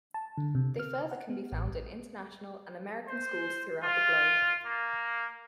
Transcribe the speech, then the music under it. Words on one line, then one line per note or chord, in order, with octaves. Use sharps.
They further can be found in international and American schools throughout the globe.
A5
D3
C3
F6
F#5
B3
A1
C5
F4
A#3